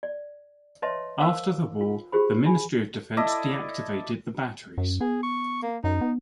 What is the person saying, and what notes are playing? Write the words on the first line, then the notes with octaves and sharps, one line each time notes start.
After the war, the Ministry of Defence deactivated the batteries.
D5
B4 C#5 D#5 E5 A5 C6
A#4 C5 F5 A5 D6 E6
F4
F4 G4 G#4 C5 B5
D4 G#5 B5
E4 A4 D5 D#5
F#2
B3 G#4
C#6
A#3
F#2 D#4
B3